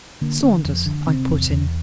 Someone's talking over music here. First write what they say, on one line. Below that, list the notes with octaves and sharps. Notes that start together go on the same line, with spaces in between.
"Saunders," I put in.
D3 A#3
D3
F2
D3
C3 C4
E2
E2